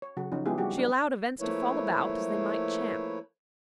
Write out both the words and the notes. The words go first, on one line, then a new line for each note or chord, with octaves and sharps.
She allowed events to fall about as they might chance.
C#5
C#3 F#3 F#4
C#3 F3 C#4 D#4
G#3 B3 E4 F4 G4 G#4
G3 A#3 F#4 G4
D4 B4
F3 A3 A#3 E4 B4 C#5